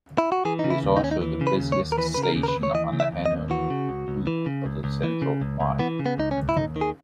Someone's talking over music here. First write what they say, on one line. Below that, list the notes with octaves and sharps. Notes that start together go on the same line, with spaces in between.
It is also the busiest station on the Hainault loop of the Central line.
E4
F#4
E3 G#4
D#4
C#3
E4
D#2
D#4
D#2 C#4
D#4
E3
C#3
B4
D#2
C#5
D#2
A#4
E3 B4
C#3 B4
A#4
D#2
A#4
B4
D#2
C#5
E3 D#5
C#3
E5
D#2
D#5
D#2
E3 F#4
C#3
C#2
C#2
E3
C#3
C#2
C#2
E3
C#3
C#2
C#2
E3 B3
C#3
B3
C#2 D#4
C#4
C#2
E4
D#2 D#4
D#3
G#4